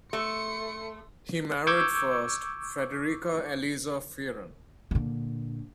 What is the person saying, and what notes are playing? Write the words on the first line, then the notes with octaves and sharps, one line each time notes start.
He married first Frederica Eliza Fearon.
A3 C6 C#7
C#6 D6 E6 G6 G#6
A#2 D3